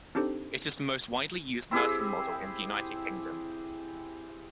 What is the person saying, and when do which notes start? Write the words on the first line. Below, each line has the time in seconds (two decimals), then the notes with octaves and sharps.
It is the most widely used nursing model in the United Kingdom.
0.15 C4 D4 D#4 G4 A4 C5
1.71 C4 E4 G4 G#4